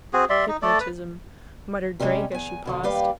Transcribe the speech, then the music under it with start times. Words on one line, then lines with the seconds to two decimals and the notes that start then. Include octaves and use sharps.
"Hypnotism," muttered Drake, as she paused.
0.13 C4 F#4 G#4
0.30 G3 D5 E5 C6
0.48 D#4
0.62 A3 A4 D5
0.80 B4
2.00 C3 G3 G#3 A#3 C#4
2.32 E2 G#5
2.65 B2 D3 F3
2.83 D#2 G3 G4 B4 D5 F5